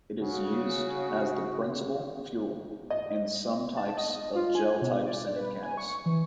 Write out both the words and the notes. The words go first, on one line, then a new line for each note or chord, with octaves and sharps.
It is used as the principal fuel in some types of gel-type scented candles.
C#3 F#4
D#5
A5
D#5
F4
G#5
B2
D5
B4
G#5
C#6
E3